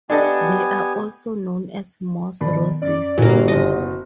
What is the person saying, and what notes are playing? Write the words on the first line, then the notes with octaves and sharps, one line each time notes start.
They are also known as moss roses.
B3 D4 G4 A4 D#5 G#5
B2 D#3 D5 B5
F#2 D5
G1 A#2 E3 A#3 F#4
F#1 B2 D#5